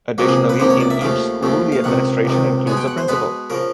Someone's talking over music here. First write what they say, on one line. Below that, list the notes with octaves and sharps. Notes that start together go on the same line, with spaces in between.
Additionally, in each school the administration includes a Principal.
C#2 C3 F3 A#3 F#4
G#4
B4
C#2 C3 F3 A#3 C5
C#5
D5
E5
D#2 C#3 F3 A3 F5
D#2 C#3 F3 A3
F5
C#2 C3 D#3 F#5
C#2 C3 D#3
B2 G#3 B3 G#5
G5
F#5
C5
B2 G#3 B3 B4
C#3 F3 A#4